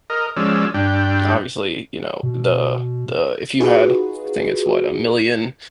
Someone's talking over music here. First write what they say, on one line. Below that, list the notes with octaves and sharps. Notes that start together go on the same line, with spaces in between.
obviously, you know, the the, if you had, I think it's what, a million
A#4 D#5
F3 G#3 C#4 D5 E6
G2 D4 G5
B2
D#4 F4 F#4 G#4 B4